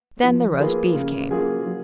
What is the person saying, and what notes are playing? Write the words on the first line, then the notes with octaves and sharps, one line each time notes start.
Then the roast beef came.
F3
A#3 F4 G#4 B4
C#3
F#3 A#3 F4 G#4
F#3